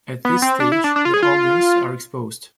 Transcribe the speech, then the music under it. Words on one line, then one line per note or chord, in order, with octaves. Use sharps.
At this stage the organs are exposed.
B3
C4
D4
E4
D4
D4
F4
G#4
F4